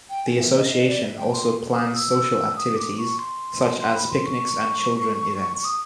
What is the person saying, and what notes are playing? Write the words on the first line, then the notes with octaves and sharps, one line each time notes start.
The Association also plans social activities, such as picnics and children events.
G5
G#5
E5
D#5
E5
D#5
D5
E5
G5
C6
D#6
E6
D#6
D6
C#6
C6
C6
B5
C6
C#6
D#6